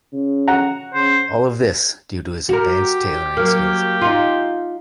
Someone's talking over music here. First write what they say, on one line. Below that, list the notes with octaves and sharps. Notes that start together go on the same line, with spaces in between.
All of this, due to his advanced tailoring skills.
C#3
F#4 F#5 A#5
C#3 C5
F#4 G4 A#4
F#3 A#3
D#4 F4